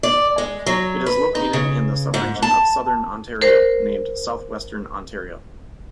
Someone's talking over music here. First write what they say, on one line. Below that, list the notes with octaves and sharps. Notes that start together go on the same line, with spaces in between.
It is located in the subregion of Southern Ontario named Southwestern Ontario.
D5
G#3
F#3
B4
D#4
C#3
G#2
A5
A#4 C5